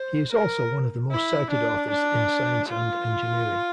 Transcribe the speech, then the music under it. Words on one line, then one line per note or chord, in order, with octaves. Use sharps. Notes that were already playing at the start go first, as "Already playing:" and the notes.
He is also one of the most cited authors in science and engineering.
Already playing: C5
A#4
E4
D4
D4
F4